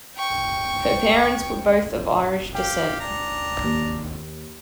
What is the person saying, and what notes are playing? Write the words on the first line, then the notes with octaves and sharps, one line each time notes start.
Her parents were both of Irish descent.
G5 C#6
G4 F5 G5
D4 A#5
D#2